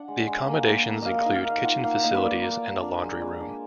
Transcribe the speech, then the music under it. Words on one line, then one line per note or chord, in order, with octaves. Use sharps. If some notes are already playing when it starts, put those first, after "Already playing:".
The accommodations include kitchen facilities and a laundry room.
Already playing: D4 F#5
G#3
G#3
A#3
A#3
A#3
A#3 D#5 F5
D#4 D#5
F5
A#3 F5
F4 F#5
A#3 F5
A#3 D#5
B4
A#3 D5
A#3
A#3
D4
G#3
G#3
D4